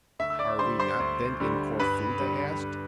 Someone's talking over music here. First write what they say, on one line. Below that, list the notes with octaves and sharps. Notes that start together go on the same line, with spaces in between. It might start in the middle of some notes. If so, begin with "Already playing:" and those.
"Are we not, then, in Corfu?" they asked.
D2 E5 E6
E6
D5 D6
D3 G3 C5 C6
C5 C6
D2
D3 G3
G2 B4 B5
D3 G3
G2